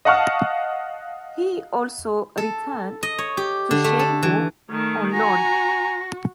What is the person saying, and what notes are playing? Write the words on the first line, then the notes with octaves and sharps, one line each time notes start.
He also returned to Chievo on loan.
D#5 F5 F#5 A5 C#6 F6
A4
D#5
C#5
G4
D3
A3
A4
E3
D#3 A3
F#4 G#5 A#5 A#6